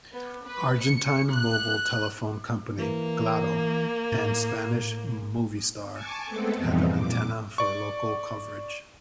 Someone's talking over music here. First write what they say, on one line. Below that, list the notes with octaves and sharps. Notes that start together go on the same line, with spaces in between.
Argentine mobile telephone company Claro and Spanish Movistar have an antenna for local coverage.
B3
B4
C#7
F#6
E3 A#3
A2
G#5 A5 C#6 D6
G#3 A3 B3 C4 A4
F2 B2 E3 G3 C4 D#4
A#2 D6
D5 C#6